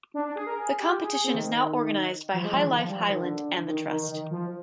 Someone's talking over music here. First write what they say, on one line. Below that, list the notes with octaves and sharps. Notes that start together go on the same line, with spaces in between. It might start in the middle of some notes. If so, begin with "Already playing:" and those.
The competition is now organised by High Life Highland and the Trust.
D4
D4
G#4
A#4
G#4
G4
G#4
G#4
C4
D#3
F3
G#3
F3
D#3
F3
G3
F3
D#3
D3
D#3
D#3
D#3
F3